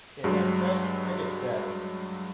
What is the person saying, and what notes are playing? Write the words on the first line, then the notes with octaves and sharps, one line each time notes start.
It has Test cricket status.
G2 F#3 G#3